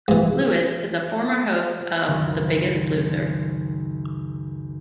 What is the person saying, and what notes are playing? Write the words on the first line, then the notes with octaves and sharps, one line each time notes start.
Lewis is a former host of "The Biggest Loser".
G#2 E3
C#2 F#2 D#3